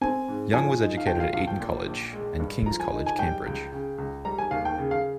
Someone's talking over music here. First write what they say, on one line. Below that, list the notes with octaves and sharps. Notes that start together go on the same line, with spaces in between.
Young was educated at Eton College and King's College, Cambridge.
C4 G#5
G#2
F3 G#5
D#4
F5
F3 G5
F5
A#1 F5
G5
A#2
A#1
G#3
G2
F3 A#5
G#5
D#4
G#5
G3 G5
C#2
C#3
C#2
G3 A#5
G#5
D#2 F5
G5
C#3
F5